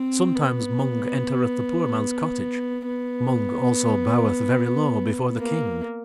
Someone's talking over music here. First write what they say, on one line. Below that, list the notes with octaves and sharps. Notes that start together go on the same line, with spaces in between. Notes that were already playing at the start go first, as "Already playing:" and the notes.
Sometimes Mung entereth the poor man's cottage; Mung also boweth very low before The King.
Already playing: C4
B3
B3
A#3